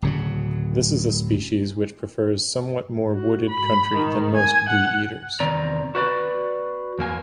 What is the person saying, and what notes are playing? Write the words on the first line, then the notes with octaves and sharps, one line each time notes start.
This is a species which prefers somewhat more wooded country than most bee-eaters.
D1 C#3 F#3
F#4
B5
D#3
G#5
F#5
E2 C3 D#3 D5 A#5
F#4 B4 D5
E2 A#3 G#5